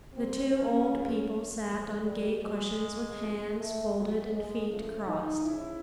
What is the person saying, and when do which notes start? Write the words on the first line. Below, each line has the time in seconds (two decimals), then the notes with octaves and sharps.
The two old people sat on gay cushions with hands folded and feet crossed.
0.14 B2 G3 C4
0.52 C#4
0.89 C#3 F3 C#4
1.66 C#3 F3
2.04 G3
2.41 B2 F#3 G#3
3.17 C3 F3
3.55 A3
3.93 B2 F#3 G#3
4.31 G#3
4.68 C#3 F3 A3
5.07 D#4
5.44 C#3 F3 E4